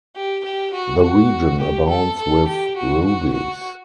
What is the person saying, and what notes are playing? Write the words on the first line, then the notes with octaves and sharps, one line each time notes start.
The region abounds with rubies.
G4
G4
F#4
F#4
G4
A4
A4
G4
F#4
F#4
F#4